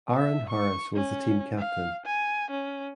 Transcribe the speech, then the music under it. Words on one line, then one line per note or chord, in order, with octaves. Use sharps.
Aaron Harris was the team captain.
E5
C#6
C#4
F5
G#5
C#4